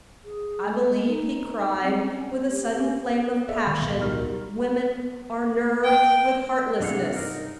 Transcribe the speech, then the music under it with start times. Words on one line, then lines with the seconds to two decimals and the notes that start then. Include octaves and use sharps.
"I believe," he cried, with a sudden flame of passion, "women are nerved with heartlessness!"
0.25 G#4
0.64 A3
0.87 G#3
1.07 D#4
1.82 C4
2.02 C#4
2.31 C4
2.50 G4
2.77 C#4
3.48 A4 D5 E5 F5
3.67 D#3
3.80 D1 B1 B3
4.01 D#4 F#4 G4 A#4 F6
5.84 G5
6.80 G2 C3 D4 E4 F5 F#5
7.16 D#4 A#4